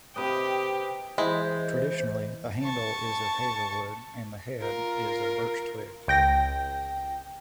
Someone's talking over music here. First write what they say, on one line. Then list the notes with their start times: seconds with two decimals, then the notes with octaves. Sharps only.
Traditionally the handle is of hazel wood and the head is of birch twigs.
0.16 C3 G4 B4 D#5
1.18 E3 G#3 E4 C5
2.62 A5 C#6
4.60 F4 A#4
6.08 C#2 G5 A#6